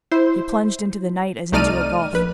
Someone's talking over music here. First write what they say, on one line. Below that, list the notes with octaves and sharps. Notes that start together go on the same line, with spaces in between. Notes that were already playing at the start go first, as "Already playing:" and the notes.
He plunged into the night as into a gulf.
E4 C5
C2 A3 D#4 D5 F6 D#7
A#1 B4